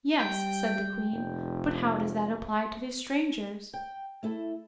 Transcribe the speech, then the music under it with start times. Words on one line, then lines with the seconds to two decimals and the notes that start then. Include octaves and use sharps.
"Yes," said the Queen; "but how does that apply to these strangers?"
0.21 G3 G5
1.12 F1
3.73 G5
4.23 A3 E4 A4